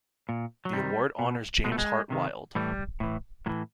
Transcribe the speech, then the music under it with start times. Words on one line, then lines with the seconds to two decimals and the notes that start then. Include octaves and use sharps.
The award honors James Hart Wyld.
0.29 A#2
0.65 F#3
0.73 C3 D#3 G3
1.19 B2
1.64 B2 G#3
1.72 A3
1.78 G#3
2.10 C3 D#3
2.55 A2 E3 G3
3.00 A2 E3
3.46 A2 F#3
3.49 E3